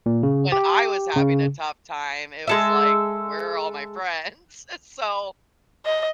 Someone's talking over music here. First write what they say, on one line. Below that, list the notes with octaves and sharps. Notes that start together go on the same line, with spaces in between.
when I was having a tough time, it was like, "Where are all my friends?" So,
A#2
C#3
G4
C#3
G#3 A4 E5
D#5